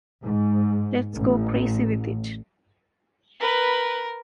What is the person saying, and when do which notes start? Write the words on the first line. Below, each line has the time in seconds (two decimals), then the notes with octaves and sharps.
Let's go crazy with it.
0.22 G#2
1.16 A1
3.41 A#4 B4